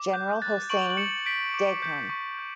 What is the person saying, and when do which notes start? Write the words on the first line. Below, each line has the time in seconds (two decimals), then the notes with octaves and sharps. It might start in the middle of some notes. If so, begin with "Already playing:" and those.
General Hossein Dehghan.
Already playing: D6
0.13 F#6 G6
0.42 F#6 A6
0.69 C#6 D7 F#7
0.90 F#7
0.97 F#6 C#7 E7
1.25 G6 B6 D7
1.54 D6
1.82 G6
2.09 C#6
2.39 G6